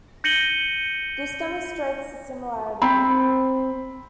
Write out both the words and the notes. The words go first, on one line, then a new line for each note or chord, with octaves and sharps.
This demonstrates the similarity.
G6 A#6 C#7 D#7 F#7 G7
C4 B5